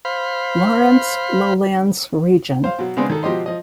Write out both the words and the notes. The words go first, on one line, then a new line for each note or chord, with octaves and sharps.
Lawrence lowlands region.
C5 F5 B5
C5 F5
B2 F#3
C#3 G#3 B3 C4 D4
D#3 A4
B2 F3 G4 D#5 C6
F3 D#5